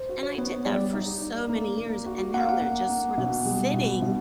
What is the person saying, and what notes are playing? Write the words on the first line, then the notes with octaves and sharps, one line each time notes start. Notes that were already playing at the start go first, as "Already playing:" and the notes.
and I did that for so many years, and now they're just sort of sitting,
Already playing: C5
F#4
C#5
B3
G3 D5
D#4
D#4
A#3
A#3
F#4
A#3 F#5
F5
F#5
A#3
A#3
B2
G3
B2
B2